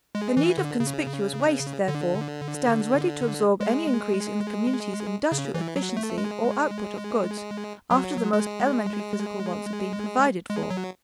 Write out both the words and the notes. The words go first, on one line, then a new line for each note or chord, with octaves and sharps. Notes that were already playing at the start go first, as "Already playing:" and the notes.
The need of conspicuous waste, therefore, stands ready to absorb any increase in the community's industrial efficiency or output of goods, after the most elementary physical wants have been provided for.
G#3
E3
D3
C#3
D3
G#3
C#3
E3
F#3
A3
G#3
F#3
G#3
G#3
F#3